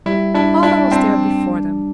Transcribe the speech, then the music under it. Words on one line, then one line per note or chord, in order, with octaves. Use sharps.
Father was there before them.
G3 E4
D4 E4
D4 E4
C4 D4